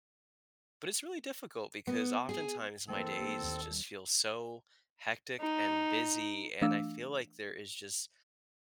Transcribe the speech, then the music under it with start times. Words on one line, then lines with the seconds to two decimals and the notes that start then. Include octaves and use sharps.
But it's really difficult because oftentimes my days just feel so hectic and busy, and I feel like there is just
1.87 B3
2.29 G#4
2.89 E3 A3 A#3 C4 A4
3.41 D#2 G3
5.40 D#4
6.62 E3 A3 D4 F5 D6 E6